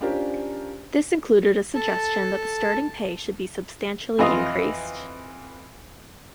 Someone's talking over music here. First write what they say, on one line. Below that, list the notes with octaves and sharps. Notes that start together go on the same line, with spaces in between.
This included a suggestion that the starting pay should be substantially increased.
C#4 D4 F4 G4 A#4 C5
A4 A5
F2 E3 F4 D#5 F5 D#6